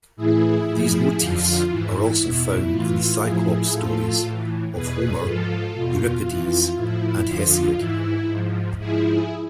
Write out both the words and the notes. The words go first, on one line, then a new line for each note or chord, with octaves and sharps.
These motifs are also found in the cyclops stories of Homer, Euripides, and Hesiod.
A2 E3 E4 G#4
A2 F3 E4 G#4
F2 D3 F3 F4
G#2 E3 E4
E2 B2
A2 E3 F4
A2 F3 E4 G#4
A2 F3 F4 A4
A2 E3
E2 B2 G#4 B4
G#2 F3 F4 A4
E2 B2 F4
F2 E3 F4
A2 F3 E4
F2 D3 F3 F4
G#2 E3 E4
G#2 F3
G#2 F3 E4 G#4